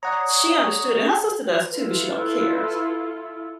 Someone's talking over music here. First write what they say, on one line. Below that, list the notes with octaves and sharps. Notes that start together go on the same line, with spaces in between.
She understood, and her sister does too, but she don't care.
C#5 D5 F#5 A#5 D#6
E4 F4 A4 B4